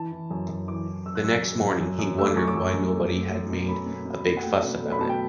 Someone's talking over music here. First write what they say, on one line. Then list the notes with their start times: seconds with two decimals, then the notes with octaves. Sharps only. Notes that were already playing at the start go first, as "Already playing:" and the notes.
The next morning, he wondered why nobody had made a big fuss about it.
Already playing: E3 A5
0.12 E3
0.31 F#2
0.49 F#2
0.68 E3 D6
0.87 E3
1.06 F#2 E6
1.15 F#6
1.24 F#2 E6
1.42 F#2 E6
1.61 F#2
1.81 F#2
1.99 F#2
2.17 A3 E6
2.28 D6
2.36 F#2 C#6
2.48 D6
2.55 F#2
2.74 F#2
2.94 A3
3.12 A3
3.30 A3
3.50 B2
3.68 A3 B5
3.86 B2
4.05 B2
4.24 B2
4.37 F#5
4.43 A3 G5
4.62 B2
4.81 A3
4.92 B5
4.99 B2 A5
5.09 G5